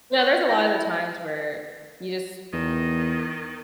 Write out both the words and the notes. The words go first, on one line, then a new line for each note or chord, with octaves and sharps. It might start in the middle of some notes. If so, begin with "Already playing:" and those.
Yeah, there's a lotta of the times where you just
C5 C#5
E4 G5 A#6
E2 D#3